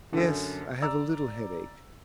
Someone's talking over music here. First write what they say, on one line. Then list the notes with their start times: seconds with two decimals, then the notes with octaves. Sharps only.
'Yes; I have a little headache.'
0.13 F#2 D3
0.82 D5 A#5 E6